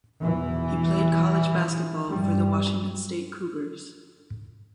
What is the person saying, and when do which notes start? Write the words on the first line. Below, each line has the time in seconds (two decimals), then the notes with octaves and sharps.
He played college basketball for the Washington State Cougars.
0.23 E2 B2 E3
2.08 G2 G3